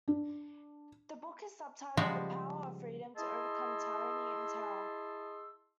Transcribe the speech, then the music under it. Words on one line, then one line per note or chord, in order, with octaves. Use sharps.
The book is sub-titled, The Power of Freedom to Overcome Tyranny and Terror.
D4
C#3 F3 G3 G#3 F#4 G4
E4 G#4 D#5 A5 C6 E6